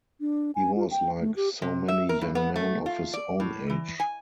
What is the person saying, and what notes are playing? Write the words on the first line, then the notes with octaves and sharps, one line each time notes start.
He was like so many young men of his own age.
D4
G#5
F4
G5
A3
G4
C3
E5
A#4
G2
B3
A3
F4
D5
A2
E3
G#5